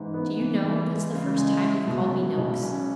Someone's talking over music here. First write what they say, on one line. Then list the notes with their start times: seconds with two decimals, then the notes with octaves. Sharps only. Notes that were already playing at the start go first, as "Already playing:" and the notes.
'Do you know, that's the first time you've called me "Noakes"?'
Already playing: G#2 E3
0.14 B3
0.39 E3
0.63 E3
0.89 G#3
1.14 C#3
1.38 G#3
1.63 E4
1.87 B2
2.12 B2
2.37 B1
2.61 C#4